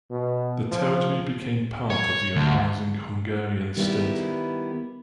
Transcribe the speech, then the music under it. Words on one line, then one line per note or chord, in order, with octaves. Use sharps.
The territory became part of the arising Hungarian state.
B2
F3
C#5
D2
D#3 G3 B3 E4